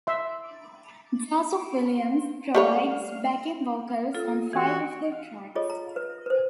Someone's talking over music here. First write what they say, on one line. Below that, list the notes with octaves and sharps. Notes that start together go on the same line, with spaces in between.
Joseph Williams provides backing vocals on five of the tracks.
E5 C6
G3 A3 C#5
F4 A4
E3 F#4 G4
F4 G#4 A4 C#5 D#5
A#5
B4
B4 C5